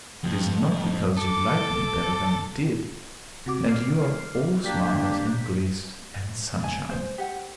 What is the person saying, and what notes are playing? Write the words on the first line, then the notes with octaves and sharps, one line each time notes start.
It is not because you like me better than you did, that you are all smiles, and grace, and sunshine.
F2
A4 D6
C3 F#4 D6
D6 F6 C7
A#3 D4 G4 G6 B6
D5 G#5
C5
G4 F#5